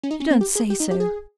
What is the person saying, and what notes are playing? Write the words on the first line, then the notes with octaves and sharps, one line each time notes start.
You don't say so!
C#4
D#4
C#4
C4
G4
G#4
G4
D#4
G4
G#4